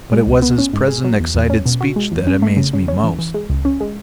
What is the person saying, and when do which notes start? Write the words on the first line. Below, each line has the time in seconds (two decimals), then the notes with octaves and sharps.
But it was his present excited speech that amazed me most.
0.12 G#3
0.27 C#2
0.42 B3
0.58 C#4
0.73 G#2
0.88 G#4
1.04 F#3
1.20 E2
1.34 E2
1.50 C#4
1.66 B2
1.81 F#4
1.96 G#3
2.12 E2
2.27 C#4
2.42 A3
2.57 C#3
2.73 C#3
2.88 C#4
3.03 E3
3.19 E3
3.34 G#3
3.50 C#2
3.65 C#4
3.81 G#3